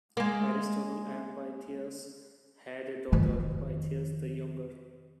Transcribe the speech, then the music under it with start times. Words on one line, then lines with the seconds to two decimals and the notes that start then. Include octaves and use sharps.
Aristotle and Pythias had a daughter, Pythias the Younger.
0.17 G#3 A#3
3.12 F2 D#3